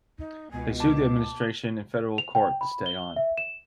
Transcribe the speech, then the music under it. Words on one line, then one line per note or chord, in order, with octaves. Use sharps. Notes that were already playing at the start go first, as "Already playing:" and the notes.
They sued the administration in federal court to stay on.
D#4
C#2 B2 G#5
A5 D6
F7
G5
B5
G7
E5
E7